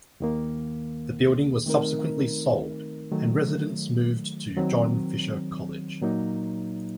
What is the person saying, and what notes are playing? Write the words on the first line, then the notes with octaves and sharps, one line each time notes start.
The building was subsequently sold, and residents moved to John Fisher College.
D#2 D#3 A#3
D#3 A3 C4 D#4 A#4
D#3 F#3 A3
D#3 F#3 C4
A#2 F#3 A#3 D#4